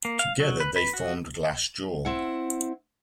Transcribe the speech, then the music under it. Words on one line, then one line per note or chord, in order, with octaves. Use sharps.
Together they formed Glassjaw.
A#3
F5
F#3
B4
B4
F#4
C4 E4 F#5